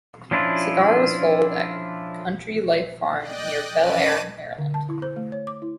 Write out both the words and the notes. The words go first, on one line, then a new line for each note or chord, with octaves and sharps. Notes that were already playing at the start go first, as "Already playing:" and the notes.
Cigar was foaled at Country Life Farm near Bel Air, Maryland.
F3 C#4 D4 E4 F4
D5 D#5 G5 F#6
C#4 B4 A5 D6 D#7
D3
A5
E4
C5
A3
C#5
D6
E4